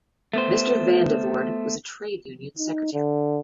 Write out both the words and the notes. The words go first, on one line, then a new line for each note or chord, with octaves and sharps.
Mr Van De Voorde was a trade union secretary.
A3 B3 C5
D#4
D3